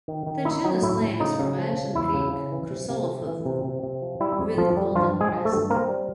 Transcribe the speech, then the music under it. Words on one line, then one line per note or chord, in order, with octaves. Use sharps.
The genus name is from Ancient Greek "khrusolophos", "with golden crest".
D#3
D#3
D#4 E4
F#3 D#4
A2 E4
A2 E4
C#3 D#4
C#3
F3
C#3
E2 E4
C#3
C#3
E3
C3
C3
A3
E3
C3
C3
C3
F3
G3 E4
F2
F2 F3 F4
G3
G2 F3 F4
F3
G#3 G#4
F3
A3 A4
G2
A#3 C4 A#4
G3